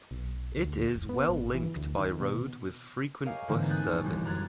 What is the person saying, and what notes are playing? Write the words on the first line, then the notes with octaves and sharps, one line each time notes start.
It is well-linked by road with frequent bus service.
B1
D2
F1
B3
G#1
E3
D2
D#3
B2
G4 A#4 C#5 D#5 F5 G#5
G#2 D3 E3 G#3 A#3 C4
G#5 D#6 F#6 G6 A6
A#1 C#5
E1 A1 G3
F#2 A#5 F#6 G#6 A6